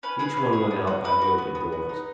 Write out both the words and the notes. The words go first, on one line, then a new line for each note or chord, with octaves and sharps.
Each one went out by the open doors.
C#4 B4
G#4 B4
C#4
G#4
B3
F#4
B3 B4
F#4
B3
B3
F#4
D#4